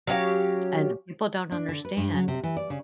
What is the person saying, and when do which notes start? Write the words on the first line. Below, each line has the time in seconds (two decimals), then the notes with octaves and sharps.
And people don't understand
0.07 F#3 C#4 G4 F5
1.52 D4
1.69 D3
1.85 B4
1.97 G2
2.14 F#3
2.28 C3
2.43 E3
2.57 D5
2.70 C#3